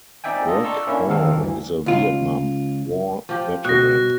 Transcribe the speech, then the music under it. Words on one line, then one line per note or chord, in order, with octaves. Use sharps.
Greg Hall is a Vietnam war veteran.
C4 D#4 D5 E5 G5 G#5
D4 F4 A4 D#5
A4 D5 A#5 C6 C#6 E6
A#3 C#4 D4 E4
D#2 D#3 A4 A#4 F5
D2 G2 E3
C#2 F4
F3 G4
B2 F#6 A#6